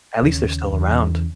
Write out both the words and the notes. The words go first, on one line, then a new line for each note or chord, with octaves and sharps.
at least they're still around.
D#2 C#3
E2 C#3